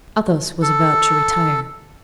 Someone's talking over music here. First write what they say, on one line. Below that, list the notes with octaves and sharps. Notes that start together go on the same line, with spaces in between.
Athos was about to retire.
A4